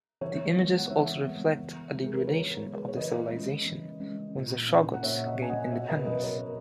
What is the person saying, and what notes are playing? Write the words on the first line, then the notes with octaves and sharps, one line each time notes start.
The images also reflect a degradation of their civilization, once the shoggoths gain independence.
E3 C#5 E5
G#3 B3
F#5
E3 C#5 E5
G#3 B3
E3
G#3 B3
G#4
A#4
B4
E3 A#4 C#5
A#4
G#3 B3
G#4 B4
C#5
E3 B4 D#5
G#3 C#4
E3
G#3 C#4
A#2
A#3 C#4
F#5
A#2 C#5 E5
D#5 F#5
A#3 C#4 G#5
D#5 F#5
B2 C#5 E5
B4 D#5
F#3 C#4 B4 D#5
A#4 C#5
B2